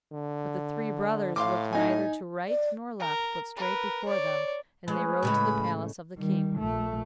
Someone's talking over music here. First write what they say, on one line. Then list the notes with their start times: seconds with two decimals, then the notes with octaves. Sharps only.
But the three brothers looked neither to right nor left but straight before them, and they rode to the palace of the King.
0.13 D3
1.36 A2 F5 C6 D6
1.73 D#4 G#5
2.49 D5
3.00 A#4
3.57 A#4 B4
4.05 C#5 D5
4.88 G#3 C#4 G#4 B4
5.23 A2 C#3 G#3 B5
6.18 D#3 G3
6.59 A#1 A3